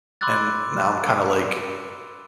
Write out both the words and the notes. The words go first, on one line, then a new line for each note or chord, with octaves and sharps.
and now I'm kinda like,
B5 C6 D6 E6 F#6 A6